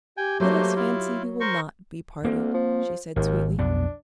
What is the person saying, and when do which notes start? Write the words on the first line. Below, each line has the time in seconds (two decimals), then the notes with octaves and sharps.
"Let us fancy we will not be parted," she said sweetly.
0.17 G4 G5 G#5
0.40 F#3 A3 A#3 C5
0.76 E4 F4
1.40 A#4 C5 C#6
2.24 D2 A#3 C4
2.54 F3
3.16 G#1 D#2
3.59 B1 F2 B3 D4